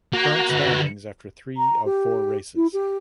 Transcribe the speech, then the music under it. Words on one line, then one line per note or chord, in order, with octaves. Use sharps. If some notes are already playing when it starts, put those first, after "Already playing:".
Current standings after three of four races.
A#3 F#4 A#5
D3 B4
A#5
G4
E4
G4